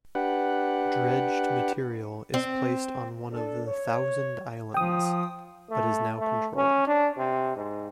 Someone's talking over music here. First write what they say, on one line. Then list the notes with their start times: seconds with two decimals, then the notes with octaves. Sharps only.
Dredged material is placed on one of the Thousand Islands, but is now controlled.
0.15 D4 G4 B4 F#5
2.34 C4
3.32 D4 A4
3.67 C#5
4.74 F3 G5 D#6
5.71 A3
6.19 A3
6.56 C#4
6.87 D4
7.18 C3
7.56 G#2